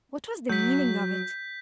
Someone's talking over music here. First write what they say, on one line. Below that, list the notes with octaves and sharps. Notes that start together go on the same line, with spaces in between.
What was the meaning of it?
F#3 G6 B6